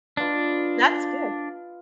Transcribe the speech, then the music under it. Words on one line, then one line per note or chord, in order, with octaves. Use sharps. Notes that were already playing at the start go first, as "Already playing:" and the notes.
That's good.
D4 F4 B4 D#5